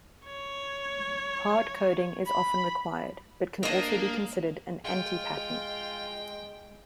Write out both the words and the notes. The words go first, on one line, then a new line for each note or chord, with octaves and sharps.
Hard coding is often required, but can also be considered an anti-pattern.
C#5
B5
A#3 D4 D#5
G#3 F4 G5